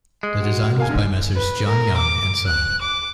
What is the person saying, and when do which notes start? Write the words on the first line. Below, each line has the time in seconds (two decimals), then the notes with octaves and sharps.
The design was by Messrs John Young and Son.
0.23 G#3
0.42 F#4
0.77 A#4 F5 G#5
0.89 G#2 D3
1.36 B4
1.66 A#4
1.97 D6
2.47 F#6
2.82 D6